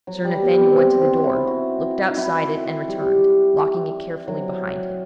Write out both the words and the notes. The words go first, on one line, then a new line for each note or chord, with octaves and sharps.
Sir Nathaniel went to the door, looked outside it and returned, locking it carefully behind him.
F#3
G3
B3
C4
C4
C4
F#4
E4
E4
F#4
D#4
E4
G3
F#3